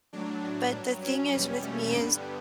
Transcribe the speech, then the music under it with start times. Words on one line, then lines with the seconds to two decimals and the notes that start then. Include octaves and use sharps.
But the thing is with me is
0.13 A2 F#3 D4
0.73 G2 F#3
1.02 C#4
1.32 E2 B2 G3
1.63 A3
1.92 G2 D3 G3 B3